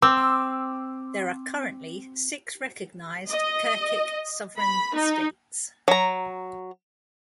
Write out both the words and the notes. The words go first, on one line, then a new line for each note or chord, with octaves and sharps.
There are currently six recognized Turkic sovereign states.
C4 C6 D6 E6
D#5
B5
D#4
F#3 A#5